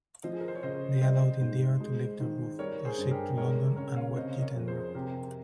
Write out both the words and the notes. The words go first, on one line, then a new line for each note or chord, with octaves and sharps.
They allowed Indira to leave their roof, proceed to London and wed Jitendra.
F3 C5 D#5
G#4
A#4
C5
C#5
C#3 C5 D#5
G3 C5 D#5
G#2
G#3
D#3
G3 A#4 C#5
G#4 C5
G2
G4 A#4
G#3 A#4 C#5
C#3 A#4 C#5
C#5 F5
C3 C5 D#5
D#5
A#4 C#5
F2
G#4 C5
C3 G4 A#4